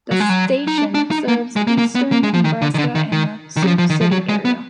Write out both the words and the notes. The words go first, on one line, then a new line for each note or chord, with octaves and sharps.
The station serves eastern Nebraska and the Sioux City area.
F#3
G#3
F#3
D#4
D4
D4
D#4
A#3
G#3
A#3
A#3
B3
A#3
G#3
F3
D#3
D3
D#3
D3
D#3
D#3
D#3
F#3
F3
F3
D#3
F3
F#3
G#3
B3